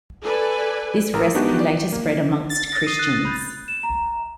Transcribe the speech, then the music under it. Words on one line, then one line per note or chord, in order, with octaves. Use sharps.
This recipe later spread amongst Christians.
A4 B4 D5 G#5
A1 A#4 A#5
G#3 B3 D4 D#4 F#4 G4
D5
A#3
A6
A#6
D#6 C7 D#7
F#6
B5 G6 A6
E7
A#5